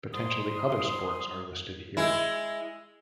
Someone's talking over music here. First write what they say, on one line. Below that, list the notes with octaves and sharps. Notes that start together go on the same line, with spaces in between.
Potentially other sports are listed here.
G#2 G3 C6 D#6
G#3 E4